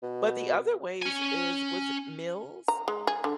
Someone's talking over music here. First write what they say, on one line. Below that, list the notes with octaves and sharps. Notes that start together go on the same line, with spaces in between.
but the other ways is with meals,
B2
C#4 G#5
A#5
G#3
G#4
D3